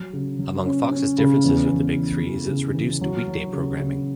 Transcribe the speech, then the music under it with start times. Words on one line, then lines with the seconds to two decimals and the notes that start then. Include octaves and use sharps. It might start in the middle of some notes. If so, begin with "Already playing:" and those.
Among Fox's differences with the Big Three is its reduced weekday programming.
Already playing: F#3
0.13 C#3
0.39 F#3
0.65 C#4
0.91 C#4
1.18 C#3
1.44 E2
1.71 E2
1.96 E3
2.22 E3
2.48 C#3
2.75 E3
3.01 F#3
3.27 F#3
3.53 C#3
3.80 C#3